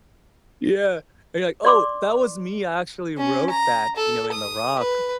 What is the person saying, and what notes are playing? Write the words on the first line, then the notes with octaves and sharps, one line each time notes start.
Yeah, and you're like, "Oh, that was me; I actually wrote that," you know, "in the rock
D5 C6 D6
C#4
A#5
A4
D#6
B4